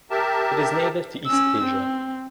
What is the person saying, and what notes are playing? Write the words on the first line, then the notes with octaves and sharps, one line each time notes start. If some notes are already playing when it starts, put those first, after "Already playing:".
It is native to East Asia.
G4 A#4 E5 A5
C#4 E6
C4